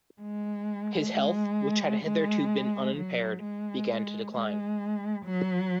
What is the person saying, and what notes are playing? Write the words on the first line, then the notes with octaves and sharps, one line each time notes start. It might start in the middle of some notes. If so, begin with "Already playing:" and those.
His health, which had hitherto been unimpaired, began to decline.
G#3
G#3
G#3
F#3
G#3
G#3
F#3